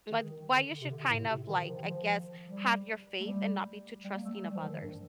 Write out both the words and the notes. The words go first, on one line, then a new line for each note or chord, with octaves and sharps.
la th why you should kind of, like, I guess, have your faith, and not be too trusting of others.
D#3
D3
C3
D3
A2
C3
D#3
F3
D#3
F3
G3
A3
G3
G3
A#3
A3
G3
F3
D#3
G2